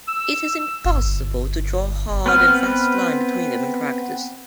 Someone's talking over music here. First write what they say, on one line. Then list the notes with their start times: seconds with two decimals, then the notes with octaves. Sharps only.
It is impossible to draw a hard and fast line between them in practice.
0.08 E6
0.85 G1
2.26 B3 C4 B4 F6